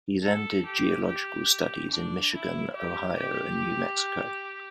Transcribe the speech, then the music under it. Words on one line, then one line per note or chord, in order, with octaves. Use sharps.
He then did geological studies in Michigan, Ohio, and New Mexico.
A4
G4
G4
D4
E4
G4
G4